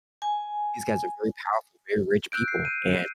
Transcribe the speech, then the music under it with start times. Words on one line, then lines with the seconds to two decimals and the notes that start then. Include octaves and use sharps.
these guys are very powerful, very rich people, and
0.22 G#5
2.32 E6 F#6 G6 D7
2.48 C7
2.65 G6 D#7